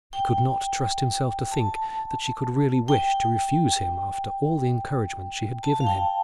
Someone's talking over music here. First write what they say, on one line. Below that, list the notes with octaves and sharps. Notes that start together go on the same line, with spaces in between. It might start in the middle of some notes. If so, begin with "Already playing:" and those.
He could not trust himself to think that she could really wish to refuse him after all the encouragement she had given him.
G5
A5
G5
A5
F5
G5